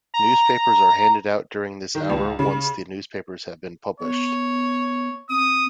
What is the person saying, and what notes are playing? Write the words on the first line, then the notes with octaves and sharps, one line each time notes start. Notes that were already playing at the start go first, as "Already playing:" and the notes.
Newspapers are handed out during this hour once the newspapers have been published.
A#5
D#3
C#2
C#3
B3 C#5
C4 D#6